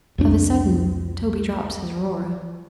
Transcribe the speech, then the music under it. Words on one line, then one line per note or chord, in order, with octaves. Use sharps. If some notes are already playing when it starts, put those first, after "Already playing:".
Of a sudden Toby drops his Aurora.
C2 F2 C4 D4